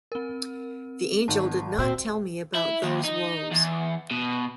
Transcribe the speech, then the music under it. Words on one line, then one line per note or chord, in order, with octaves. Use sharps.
The angel did not tell me about those woes.
C4 A#4
G#1 A5
A#2 C4 F#4 C6 E6
E4
D#2
D#4
E2
B2